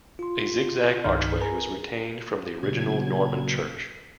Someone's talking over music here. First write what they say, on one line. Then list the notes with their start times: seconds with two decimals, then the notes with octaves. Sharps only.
A zig zag archway was retained from the original Norman church.
0.19 F4 C6
1.04 C2 G2 D#3 D#4 F6 G6
1.40 G#4 A#4 B4 G#5 A#5
2.63 A#2 C#3 F#3 G#6